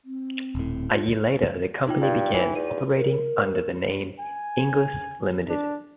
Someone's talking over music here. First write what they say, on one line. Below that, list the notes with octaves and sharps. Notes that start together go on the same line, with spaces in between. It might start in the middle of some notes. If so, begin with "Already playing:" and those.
A year later the company began operating under the name, Inglis Limited.
C4
D#1 A2
F4
D#4 F4 G5
G2
E3
E2 D#7
A#4
G#5
D4